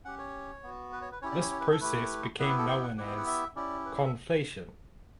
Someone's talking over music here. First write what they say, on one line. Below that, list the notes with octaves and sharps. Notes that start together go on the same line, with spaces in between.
This process became known as "conflation".
C#4 G4 F#5
C#5
B3 F#4
B4
C#5
B4
C#4 E4 G4 C#5
D5
C#5
C#5
B4
A4
A3 E4 G4 B4
B3 E4 G4 B4
B4
A4
G5
F#5
B3 E4 G4 F#5
G5
F#5
E5
C#4 E4 G4 D5
B4
D5
E5